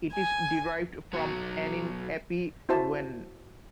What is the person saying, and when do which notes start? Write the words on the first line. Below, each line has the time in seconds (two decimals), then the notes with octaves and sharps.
It is derived from "anin api" "when".
0.14 G#5
1.13 B1 F#3
2.69 E4 F#4 C5 E5 A5